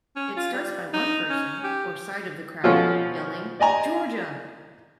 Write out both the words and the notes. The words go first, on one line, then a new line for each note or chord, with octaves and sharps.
It starts by one person, or side of the crowd, yelling Georgia!
C#4
F4
G3
D#4
C#4
G4
B2 F3 C#4 F4 A4
D5 D#5 G#5 A#5